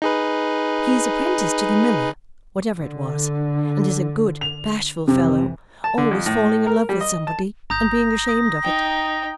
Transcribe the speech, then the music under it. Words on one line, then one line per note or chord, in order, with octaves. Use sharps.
He is apprenticed to the miller, whatever it was, and is a good bashful fellow, always falling in love with somebody and being ashamed of it.
D#4 G#4 B4
D3
F7
F2 C3 E3
A5
D3
F2
A2
A#4
G3
D#5
A5
G1 A#5 D#6 G6 A#6
D#6
D#4 G5